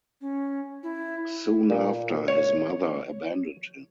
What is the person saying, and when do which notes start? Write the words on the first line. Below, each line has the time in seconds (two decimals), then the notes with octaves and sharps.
Soon after, his mother abandoned him.
0.20 C#4
0.82 E4
1.70 A#2
2.28 C#5